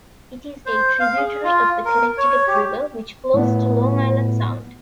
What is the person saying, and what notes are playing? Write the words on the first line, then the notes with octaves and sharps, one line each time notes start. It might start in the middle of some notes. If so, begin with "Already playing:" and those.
It is a tributary of the Connecticut River, which flows to Long Island Sound.
C5
F5
G#4
F4
A#4
C#5
G4
A2 B3